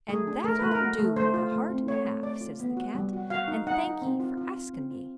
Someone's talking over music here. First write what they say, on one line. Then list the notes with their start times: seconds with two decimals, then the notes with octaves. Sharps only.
"And that I'll do with a heart and a half," says the cat, "and thank 'ee for asking me."
0.09 A3 G#4
0.27 D4
0.44 A3 A#4
0.59 A3 B4
0.72 A#4
0.81 F#4
0.99 A3
1.16 A3 C5
1.34 F4
1.52 A3
1.70 C4
1.87 A3 C#5
2.06 A3
2.23 A3 D5
2.41 F4
2.60 B3
2.77 F#4
2.95 G3
3.13 F#4
3.30 F#4 F5
3.48 D#4
3.67 D#4 F#5
3.84 D#4
4.02 C4
4.20 F4
4.37 F4
4.55 F4
4.74 C4
4.91 F4